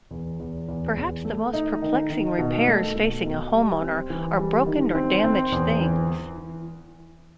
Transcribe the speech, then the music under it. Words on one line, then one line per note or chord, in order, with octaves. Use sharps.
Perhaps the most perplexing repairs facing a home-owner are broken or damaged things.
E2
E2
E2
E2
A3
D#4
D#3
D#3
B2
A3
B2
B2
G3
C4
E3
G3
D#3
C4
C4
E2
E3
E3
E3